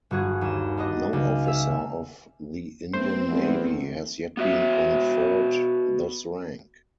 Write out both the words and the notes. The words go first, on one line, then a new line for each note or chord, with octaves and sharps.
No officer of the Indian Navy has yet been conferred this rank.
G1 F#4 G#4
D#2 E7
D4 D#4 F#4 D#5
C#2
E5 F5
A3 B3 C4 C5
E2 A3
B3 F#4 E5